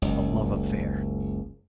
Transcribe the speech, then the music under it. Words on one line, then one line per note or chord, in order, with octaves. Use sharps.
A love affair!
F#1 C#2